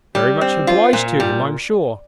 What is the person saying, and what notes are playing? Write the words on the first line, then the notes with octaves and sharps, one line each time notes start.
'Very much obliged to him, I'm sure.
G3
C4
F4
A#2
G3